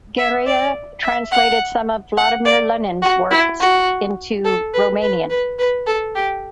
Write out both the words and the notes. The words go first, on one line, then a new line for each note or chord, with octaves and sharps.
Gherea translated some of Vladimir Lenin's works into Romanian.
E5
D5
E5
F#5
F#5
D5
F#4
E4
F#4
A4
B4
B4
B4
B4
A4
G4